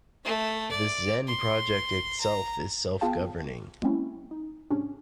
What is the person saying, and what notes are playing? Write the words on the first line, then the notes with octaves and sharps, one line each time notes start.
The Xen project itself is self-governing.
A3
D5
C6
A#5
B3 F4 G#4 F5 G5 A5
F#3 G#3 A#3 C4 C#4 E4
D#4
G#2 C3 C#4 D4